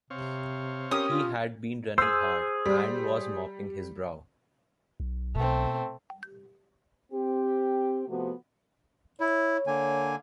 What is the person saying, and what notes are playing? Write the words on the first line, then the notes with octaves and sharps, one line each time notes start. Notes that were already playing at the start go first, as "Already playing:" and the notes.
He had been running hard, and was mopping his brow.
C3 C4 C#5 F5
C#4 G4 A#4 D#6
F4
G#4 C5 E6
G3
B1
B2 A3 C4
C4 G4
C3 F3 A3 B3 F#4
E4 C#5
D3 A#3 G#5